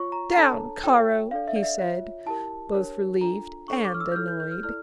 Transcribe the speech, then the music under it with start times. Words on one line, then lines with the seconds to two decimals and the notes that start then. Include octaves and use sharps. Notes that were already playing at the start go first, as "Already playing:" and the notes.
'Down, Caro!' he said, both relieved and annoyed.
Already playing: F4 C#5 C#6
0.12 A#5
0.32 A#5
0.36 D4 A4 C#5 A5
0.83 F4 A4 C#5 G5
1.31 D4 A4 D5 F5
1.48 E5
1.56 D5
1.63 E5
1.78 F4 C#5
2.26 E4 G4 A#4 A5
2.74 D4 G4 A#4 C#5
3.21 D4 F4 A4 A#5
3.68 D4 A4 C#5 C#6
3.85 D6
3.94 F6
4.00 E6
4.12 G6
4.16 E4 A4 C#5 F6
4.28 G6
4.40 G6
4.51 F6
4.63 E4 A4 D5 F6